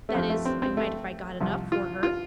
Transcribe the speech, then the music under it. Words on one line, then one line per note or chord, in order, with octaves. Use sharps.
That is, I might if I got enough for her.
A3
F2 F3 C4
A3
C4
C4
A3
C2 C3 F3
F4
F4